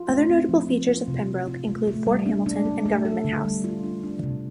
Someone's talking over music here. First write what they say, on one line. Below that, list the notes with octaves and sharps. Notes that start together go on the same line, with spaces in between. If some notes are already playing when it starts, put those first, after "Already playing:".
Other notable features of Pembroke include Fort Hamilton and Government House.
Already playing: F4
A3
C4
F3
C4
F4
C3
C3
F4
A3
A3
G3
D4
D4
A3
A3
A4
D3
G3
F4
D4
D4
C3